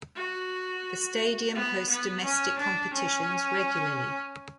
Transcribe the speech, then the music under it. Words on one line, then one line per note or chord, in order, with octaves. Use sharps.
The stadium hosts domestic competitions regularly.
F#4
B3
B3
C#4
D4
C#4